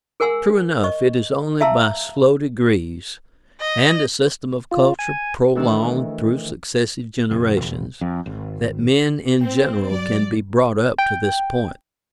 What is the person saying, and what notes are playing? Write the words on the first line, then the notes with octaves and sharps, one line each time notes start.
True enough, it is only by slow degrees, and a system of culture prolonged through successive generations, that men in general can be brought up to this point.
G#4 A#4 F#5 G#5 C6 E6
D#5 C#6
E5 F5 A5 A#5 C6 E6
D#5
F4
G#5
D2 D#3 E3 D4 E6
F1
E1
F2
G#1
C4 G5
G2 F#3 D5
G5